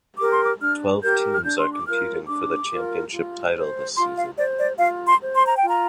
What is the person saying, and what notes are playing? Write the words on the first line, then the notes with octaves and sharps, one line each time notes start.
Twelve teams are competing for the championship title this season.
G4 A#4 D6
C6
D6
D4 F6
G4 A#4 G6
F6
D4 G6
C6
D6
F4 A#4 F6
D4 D6
F4 A#4
F4
C5
F4 C6
F5
C5 D5
D5
F4 F5
C6
C5
C6
A#5
G5
F4 A#5